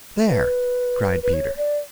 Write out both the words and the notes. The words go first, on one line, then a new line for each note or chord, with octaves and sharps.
"There!" cried Peter.
B4
B4
C#5
D5